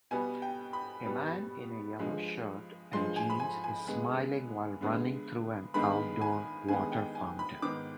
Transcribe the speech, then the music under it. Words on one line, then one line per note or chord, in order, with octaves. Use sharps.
A man in a yellow shirt and jeans is smiling while running through an outdoor water fountain.
B2 G3 B3 G#5
G5
B5
B2 G3 B3
G2 F3 G#3
G2 F3 G#3 C6
G#5
B5
G#5
G#5
G2 D3 G#3 B3
G2 D3 G#3 B3
G2 D#3 G#3 B3 B5
G#5
G2 D#3 G#3 B3 G#5
G5
G#5
B5
G#2 D#3 B3 D6